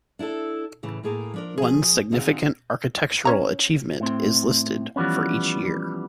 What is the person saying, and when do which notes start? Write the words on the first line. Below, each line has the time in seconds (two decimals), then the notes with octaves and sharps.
One significant architectural achievement is listed for each year.
0.19 D4 E4 G#4 A4
0.83 A2 C#3 E3
1.04 A2 A#3 G#4 A#4 A5
1.34 F3 D4 A#4
1.58 F3 G#4
2.12 D3 C4 D#4 F#4 G#4 F5
3.25 C#4 C#5 A#5
4.00 A2 C4
4.96 E3 F3 G3 B3 C#4